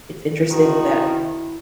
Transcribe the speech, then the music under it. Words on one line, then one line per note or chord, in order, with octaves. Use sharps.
it's interesting that
B2 D#3 F3 E4 F#4